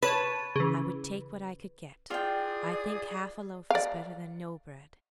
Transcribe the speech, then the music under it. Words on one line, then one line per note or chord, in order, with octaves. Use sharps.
I would take what I could get; I think half a loaf is better than no bread.
B4 C#5 A5
C#3 E3
F4 G#4 D5 G5
D5 F5